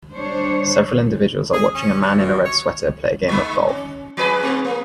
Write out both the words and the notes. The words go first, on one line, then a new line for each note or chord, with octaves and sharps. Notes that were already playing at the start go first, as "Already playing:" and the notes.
Several individuals are watching a man in a red sweater play a game of golf.
G3 D4 C5 C#5
G#4
C#4
G2
F#2
C#5
G#3 D#4
C#4
F3 G#4 B4
G#2 A3 C4
A#3